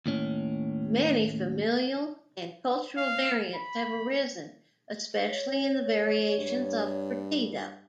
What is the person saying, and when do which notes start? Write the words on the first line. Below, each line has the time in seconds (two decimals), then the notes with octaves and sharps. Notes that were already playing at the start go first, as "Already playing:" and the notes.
Many familial and cultural variants have arisen, especially in the variations of "curtido".
0.06 D#2 A2 C#4
2.97 F5
3.54 B5
5.28 C#5
6.38 G2